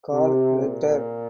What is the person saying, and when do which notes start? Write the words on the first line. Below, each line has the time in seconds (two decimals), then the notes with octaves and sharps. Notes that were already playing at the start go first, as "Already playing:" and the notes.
Carl Ritter.
0.12 C3
0.57 A#2